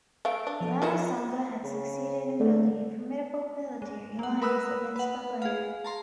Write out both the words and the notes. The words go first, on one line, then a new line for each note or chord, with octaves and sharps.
Rana Sanga had succeeded in building a formidable military alliance against Babur.
A3 F5 D7
D4
F3 A4
D#3 G#3 D#4 F4 C#5 E5
C#3
D3 A3
G#3
A#3 F#5
A#4 B4 B5 D#6 E6 F#6
B4 F#5
G#4 F5
A5 A#5 C6